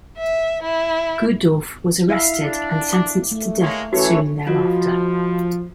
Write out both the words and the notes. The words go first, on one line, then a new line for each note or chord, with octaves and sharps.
Guddorf was arrested and sentenced to death soon thereafter.
E5
E4
E4 E5 F5
D4
D6
A3
G#3 A#3 C#5
E3 A3 C#4 F#4 C#5
F3 F4 F#4 D#5